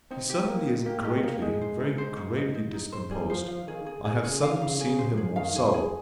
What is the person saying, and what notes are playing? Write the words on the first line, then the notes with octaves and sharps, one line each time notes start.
He certainly is greatly, very greatly discomposed; I have seldom seen him more so.
C4 D#4
G4
A#3 D#4
D#4
A#3 G4
G#3 G4
G#3
A#3 D#4
G#3 D#4
C5
D#4
C5
D#4
D#4
D#4
D#4
C5
G3 G#4
F3 C5
F3 F5
D#3 G#4
G#4
G#4
C#3 G#4
F5
C#3 F5
G#4
C#3
C5
F3
G#4
D#3 F5
G#4
F2
G#4